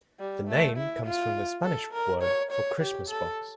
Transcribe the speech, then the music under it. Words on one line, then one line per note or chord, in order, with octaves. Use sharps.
The name comes from the Spanish word for "Christmas box".
G3
A3
E4
F4
A4
A#4
C#5
C#5
G4
A4